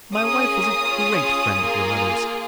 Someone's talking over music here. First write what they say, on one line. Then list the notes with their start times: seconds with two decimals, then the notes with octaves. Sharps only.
My wife was a great friend of your mother's.
0.12 A#3 C#4 G#4 D#6
0.86 C#4 F4 G#4
1.60 A#3 F4 G#4